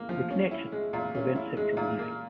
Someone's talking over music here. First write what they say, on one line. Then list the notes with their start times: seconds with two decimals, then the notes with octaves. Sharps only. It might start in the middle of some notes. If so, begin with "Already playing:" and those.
The 'connection' prevents him from leaving.
Already playing: A#3
0.09 F3
0.30 C#4
0.51 E4
0.72 G#3
0.93 A#2
1.15 C#4
1.36 E4
1.57 G#3
1.77 A#2
1.99 A#3